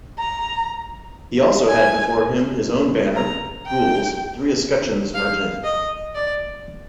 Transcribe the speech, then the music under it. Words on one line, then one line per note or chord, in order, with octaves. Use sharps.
He also had before him his own banner, gules, three escutcheons argent.
A#5
G#5
A#5
G5
F5
D#5
D5